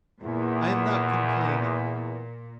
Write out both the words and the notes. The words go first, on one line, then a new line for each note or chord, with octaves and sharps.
I am not complaining.
E2 A#2